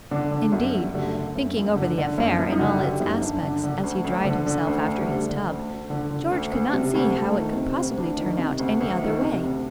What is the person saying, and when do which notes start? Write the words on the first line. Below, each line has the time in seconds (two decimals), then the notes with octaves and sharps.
Indeed, thinking over the affair in all its aspects as he dried himself after his tub, George could not see how it could possibly turn out any other way.
0.11 D3 D4
0.31 D3
0.52 F#2 F#4
0.74 F#2
0.82 G3
0.94 D3 A3
1.15 D3
1.35 F#2
1.56 F#2
1.76 D3
1.98 D3
2.18 F#2
2.39 F#2
2.52 D#4
2.59 D3 F#4
2.79 D3 G4
3.00 F#2 D#4
3.21 F#2 D4
3.42 D3 D4
3.63 D3
3.83 D2
4.04 D2
4.24 D3
4.46 D3
4.67 D2
4.88 D2
4.98 G3
5.07 D3 A3
5.29 D3
5.48 D2
5.70 D2
5.90 D3
6.11 D3
6.31 D2
6.53 D2
6.73 C3 G3
6.95 D2
7.15 D2 A3
7.36 D#3
7.56 C3 C4
7.76 D2
7.97 D2 D4
8.18 D#3
8.38 C3
8.59 D2
8.81 D2
9.01 D#3
9.22 C3
9.42 D2